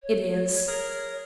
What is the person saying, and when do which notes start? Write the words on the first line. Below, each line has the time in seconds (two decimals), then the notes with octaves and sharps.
"It is."
0.02 C#5
0.68 G#4 A#4